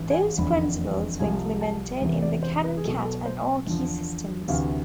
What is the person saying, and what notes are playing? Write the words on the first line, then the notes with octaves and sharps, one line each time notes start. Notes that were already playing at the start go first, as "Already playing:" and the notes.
Those principles were implemented in the Canon Cat and Archy systems.
Already playing: A1 G#2 E3
G#5
F1 E2 D3 B5
C2 C3 F3 G#5
A5
E1 E2 C3 E3
D5
C5
B4
G#4
B1 B2 A4
A4
C5
E2 D3 F3
D2 C3 E3 F5